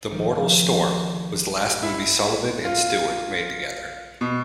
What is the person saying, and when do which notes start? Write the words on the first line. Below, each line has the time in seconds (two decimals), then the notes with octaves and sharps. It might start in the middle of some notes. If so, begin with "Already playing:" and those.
"The Mortal Storm" was the last movie Sullavan and Stewart made together.
0.11 D#3 F3
1.83 E4
2.64 F4
4.21 B2